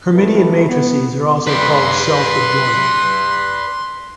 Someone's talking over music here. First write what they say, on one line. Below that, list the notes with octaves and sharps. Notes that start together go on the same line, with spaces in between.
Hermitian matrices are also called self-adjoint.
G1 C3 D#3 A3 E4 B4
B3
B4 D5 C6